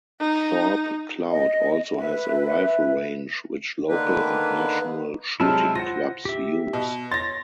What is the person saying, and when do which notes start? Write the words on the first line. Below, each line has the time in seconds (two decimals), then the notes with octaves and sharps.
Thorpe Cloud also has a rifle range which local and national shooting clubs use.
0.20 D#4
1.29 D#5
1.95 B4 E5
3.89 D3 D#3 A#3 B4
5.40 C3 F#3 G#3 E4 A5 F6
5.75 F4 C5 F#5 A#6
6.25 G4 E5
6.73 B2
7.12 C#5 C6 A6 A#6